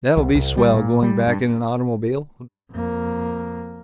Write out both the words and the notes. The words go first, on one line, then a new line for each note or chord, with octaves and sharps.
That'll be swell, going back in an automobile.
C2
C2
G3
A#2
G3
G2
F2 A#3